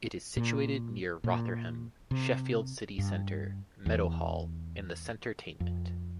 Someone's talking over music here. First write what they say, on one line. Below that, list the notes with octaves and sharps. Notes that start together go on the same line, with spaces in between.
It is situated near Rotherham, Sheffield City Centre, Meadowhall and the Centertainment.
A#2
A#2
C3
G2
E2
F2